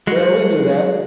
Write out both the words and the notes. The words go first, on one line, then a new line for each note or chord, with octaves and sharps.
Well, we knew that.
F#3 G#3